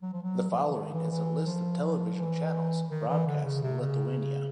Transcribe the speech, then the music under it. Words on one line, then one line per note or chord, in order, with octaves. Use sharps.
The following is a list of television channels broadcast in Lithuania.
F#3
F3
F#3
F3
E3
D#3
E3
E3
F3
F3
E3
D#3
E3
D3
C#3
C3
C#3